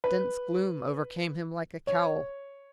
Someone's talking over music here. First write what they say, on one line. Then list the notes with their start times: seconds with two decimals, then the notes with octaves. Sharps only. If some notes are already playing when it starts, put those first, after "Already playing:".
Dense gloom overcame him like a cowl.
0.04 B4
1.87 C#5